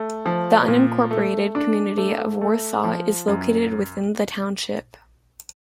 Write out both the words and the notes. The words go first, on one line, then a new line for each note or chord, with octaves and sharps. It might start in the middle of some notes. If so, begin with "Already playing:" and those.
The unincorporated community of Warsaw is located within the township.
Already playing: A3
F3
A#2
A3
D4
A3
A3
F3
F#2